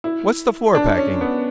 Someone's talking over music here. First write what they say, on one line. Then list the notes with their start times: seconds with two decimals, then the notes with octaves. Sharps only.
What's the floor-packing?
0.04 E4
0.75 D4
0.97 C#4
1.21 B3